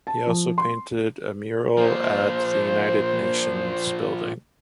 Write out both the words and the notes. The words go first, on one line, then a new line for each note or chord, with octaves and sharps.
He also painted a mural at the United Nations building.
A5
F3
C6
A#2 F3 C5